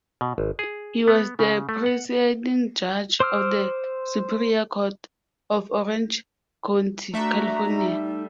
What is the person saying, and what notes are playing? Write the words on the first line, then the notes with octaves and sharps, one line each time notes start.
He was the presiding judge of the Superior Court of Orange County, California.
B2
G#1
G#4
B3
C#3
A3
F#5
C5 C6 D6 E6 F6
A3 D4 F#4 E5 A#5
G3 D#4